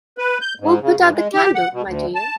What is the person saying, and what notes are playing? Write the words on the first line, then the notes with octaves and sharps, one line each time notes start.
We’ll put out the candle, my dear.
B4
G6
G#2
C#3
G2
G#3
G4
F#5
B2
D2
A5